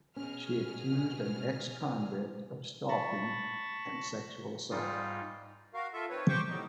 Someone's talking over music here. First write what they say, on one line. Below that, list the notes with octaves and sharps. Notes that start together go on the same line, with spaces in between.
She accused an ex-convict of stalking and sexual assault.
B2 C#4 G#4 F6
A5 B5 C#6 A6 A#6
G#2 G3 D#4 F4
F#4 A#4 F5
F4 A4 E5
D#3 C4 B4 C#5
G4 C5 G5 C#6 D6
A2 F#3 G3 D#4